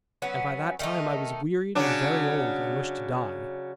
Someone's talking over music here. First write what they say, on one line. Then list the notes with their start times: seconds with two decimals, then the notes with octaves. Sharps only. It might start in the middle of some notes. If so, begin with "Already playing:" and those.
And by that time I was wearied and very old, and wished to die.
0.22 F#3 B3 C#4
0.79 D#3 A3 D#4
1.75 C#3 F#3 D4